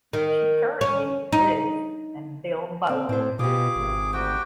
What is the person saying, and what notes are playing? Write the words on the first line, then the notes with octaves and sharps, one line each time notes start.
She currently lives in Bilbao.
D#3
C#4
D#4
C4
A2 C4 C5
B2 F4 G4 G#4 D6
G#1
D2 F#4 G4 G5